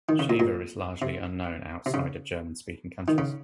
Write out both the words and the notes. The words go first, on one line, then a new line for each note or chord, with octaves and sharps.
Shiva is largely unknown outside of German-speaking countries.
D#3
C#3
A#2
A#2
C3
C3
C#3
D#3
C#3